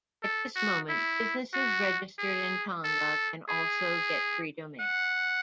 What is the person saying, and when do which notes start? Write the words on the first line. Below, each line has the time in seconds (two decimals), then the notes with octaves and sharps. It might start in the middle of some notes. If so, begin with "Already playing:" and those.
At this moment businesses registered in Tonga can also get free domains.
0.23 A4
0.56 F#4
0.89 E4
1.54 F#4
2.19 G#4
2.84 A4
3.49 G#4
4.80 F#5